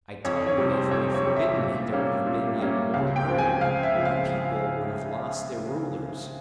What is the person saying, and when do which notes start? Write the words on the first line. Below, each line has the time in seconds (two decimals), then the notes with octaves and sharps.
I tell you that if we had forbidden it there would have been yet more murder, and the people would have lost their rulers.
0.24 F2 C#5
0.47 C#5
0.58 C3 G3
0.70 C5
0.91 F2 C#5
1.14 C#5
1.25 C3 G3
1.36 E5
1.59 A#2
1.93 G3 A#3 C#4
2.26 A#2
2.60 G3 A#3 C#4
2.94 C#2 F5
3.16 G5
3.27 C#3 F3 C4
3.38 G#5
3.61 C#2 F5
3.83 E5
3.94 C#3 F3 C4
4.05 F5